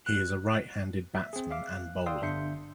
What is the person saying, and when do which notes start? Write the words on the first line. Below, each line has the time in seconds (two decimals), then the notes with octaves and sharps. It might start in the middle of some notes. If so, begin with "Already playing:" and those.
He is a right-handed batsman and bowler.
0.06 F#6
1.15 E5
1.33 C4 G#4
1.51 E5 F5 D6
1.67 F#6
2.06 D5 F5 G5 C6 D#6 E6
2.22 G1 D4 E5 C6 G6 C#7